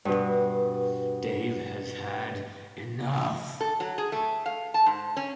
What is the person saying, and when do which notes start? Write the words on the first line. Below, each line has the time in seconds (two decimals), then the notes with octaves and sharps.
Dave has had enough.
0.05 G2 B2
3.61 A4
3.80 F#3
3.98 G#4
4.12 A3
4.46 F5
4.74 A5
4.86 G#2
5.17 C#4